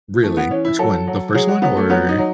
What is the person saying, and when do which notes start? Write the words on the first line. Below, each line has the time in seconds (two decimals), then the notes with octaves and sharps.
Really? Which one? The first one? Or
0.23 E3 A3
0.37 B3
0.51 E3 C#4
0.65 E4
0.79 F#3 A4
1.07 F#3
1.34 F#3 G#4
1.48 F#4
1.62 F#3 B3
1.77 A3
1.90 F#3 B3
2.09 D#4
2.18 F#3